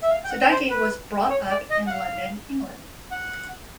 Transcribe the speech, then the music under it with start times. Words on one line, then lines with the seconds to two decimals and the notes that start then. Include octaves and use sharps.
Siddiki was brought up in London, England.
0.02 E5
0.10 F5
0.24 G5
0.30 F#5
0.51 C5
0.70 B4
1.30 C#5
1.50 D5
1.70 D#5
1.87 F#5
1.91 F5
3.11 F#5